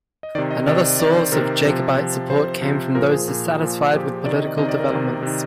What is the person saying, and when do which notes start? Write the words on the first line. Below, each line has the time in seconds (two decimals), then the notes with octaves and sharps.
Another source of Jacobite support came from those dissatisfied with political developments.
0.23 D#5
0.35 D#3 D5
0.38 C3
0.51 D#5
0.67 C3 D#3 D5
1.00 C3 D#3 D5
1.16 C5
1.32 C3 D#3 A#4
1.65 C3 F3
1.97 C3 F3
2.30 C3 F3 C5
2.62 C3 F3
2.95 A#2 F3 A#4
3.11 G#4
3.28 A#2 F3
3.60 A#2 F3
3.93 A#2 F3 G4
4.25 C3 D#3 D5
4.36 D#5
4.47 D5
4.58 C3 D#3 D#5
4.68 D5
4.80 A#4
4.90 C3 D#3
5.22 C3 D#3